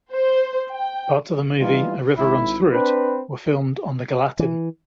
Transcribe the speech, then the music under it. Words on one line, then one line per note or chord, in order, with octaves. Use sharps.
Parts of the movie "A River Runs Through It" were filmed on the Gallatin.
C5
G5
E3 G3 D#4 F4
G#1 E4
C4 D4 B4
E3